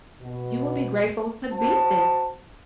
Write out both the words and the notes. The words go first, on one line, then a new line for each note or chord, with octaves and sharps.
you will be grateful to be this.
B2
F#4 C5 A5